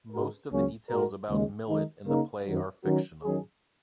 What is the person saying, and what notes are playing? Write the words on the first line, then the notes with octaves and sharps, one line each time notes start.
Most of the details about Millet in the play are fictional.
G#2 G#3 F#4 A#4
C#2 C#3 F#3 A#3 C#4
G#2 G#3 F#4 A#4
D#2 C#3 G#3
D#3 G#3 D#4
C#3 A#3 D#4 A#4
F#2 D#3 F#3
D#3 F#3 C#4 F#4 A#4
D#3 F#3 C#4 G#4